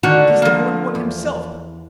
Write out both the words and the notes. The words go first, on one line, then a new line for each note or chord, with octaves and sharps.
'Tis the Horned One himself!
D3 D#3 F#4
F3 A#3
E2